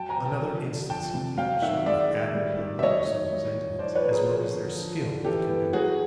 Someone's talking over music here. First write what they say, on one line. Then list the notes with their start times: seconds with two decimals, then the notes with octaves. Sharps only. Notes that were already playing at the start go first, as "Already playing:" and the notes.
Another instance he gave, showing the admirable alertness of these Indians, as well as their skill with the canoe.
Already playing: F#3 G5 A5
0.09 G#5 A#5
0.17 B2
0.25 G5 A5
0.42 F3
0.65 D3
0.89 F3 G5 A5
1.14 C3
1.37 F#3 F5 G5
1.62 D#3 E5 F#5
1.86 G#3 D5 E5
2.11 D#3
2.34 G3
2.59 D#3
2.79 E5
2.83 F#3 C#5 D#5
3.07 D#3
3.32 G3
3.56 A#2
3.79 F3 C5 D5
3.95 B4 C#5
4.04 B3
4.11 G#4 A#4
4.27 F3
4.52 D3
4.76 F3
5.00 D3
5.25 E3 G4 A4
5.49 B3
5.73 F#3 F#4 G#4